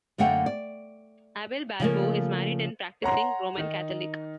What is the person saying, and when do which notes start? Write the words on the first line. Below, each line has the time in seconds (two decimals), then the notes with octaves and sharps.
Abel Balbo is married and a practising Roman Catholic.
0.18 F#2 D3 A3 A#3 F#5 G5
0.46 D5
1.80 C#3 F3 A3 A#3
3.03 C#5 F#5 A#5 C6
3.57 D#3 D#4